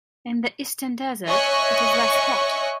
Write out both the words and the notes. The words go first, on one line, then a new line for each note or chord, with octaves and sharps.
In the eastern desert, it is less hot.
C#5 D#5 E5 G#5 C#6 F#6